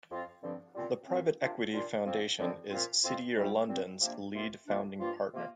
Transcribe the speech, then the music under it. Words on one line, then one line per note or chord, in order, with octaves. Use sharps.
The Private Equity Foundation is City Year London's Lead Founding Partner.
F2 F3 C4 F4
G2 D3 F3 C4
A#2 G3 C4 F4
A#2 F3 C4
C3 A#3 D4 F4
A#2 G3 D4 F4
F2 F3 C4
F2 D3 F3 C4
A#2 F3 C4 F4
F2 F3 C4 F4
D2 C3 G3 C4 F4
A#2 G3 C4
C3 F3 A#3 D4
C2 C3 A#3 F4
C2 C3 A#3 D4 F4
G2 F3 A#3 F4
C3 A#3 F4